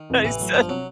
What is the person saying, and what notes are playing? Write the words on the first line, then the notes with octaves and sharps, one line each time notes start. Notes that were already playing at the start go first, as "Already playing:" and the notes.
I said,
Already playing: D#3
F2 C3 E3
A1 E3
A2 F#3
G1 F3
C3 F#3